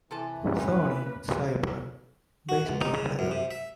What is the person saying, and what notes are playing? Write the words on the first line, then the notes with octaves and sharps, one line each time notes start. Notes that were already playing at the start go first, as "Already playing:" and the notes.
Sonny Siebert, baseball player.
C3 E3 A4 A5
A#3 C4 C#4 B4
F#4
C#2
D#4
C#3
F#2
C3
E5